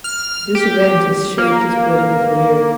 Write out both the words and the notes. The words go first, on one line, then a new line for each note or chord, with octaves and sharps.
This event has shaped his political career.
F6
G4
A#3